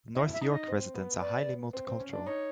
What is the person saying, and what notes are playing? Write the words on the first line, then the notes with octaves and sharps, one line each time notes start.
North York residents are highly multicultural.
E4 D#5
E5
D#4
D#5
C4
B3
D5
C4
C4
C#4
D4
D#4 C#5